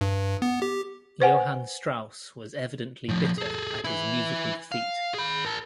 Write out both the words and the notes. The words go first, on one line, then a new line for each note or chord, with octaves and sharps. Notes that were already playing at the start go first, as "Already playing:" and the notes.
Johann Strauss was evidently bitter at his 'musical defeat'.
G2
B3
G4
B4 C5 F#5 G#5
A2 F3
G#4 A4
E4 B4
F5
G#4 B5
A#4 A5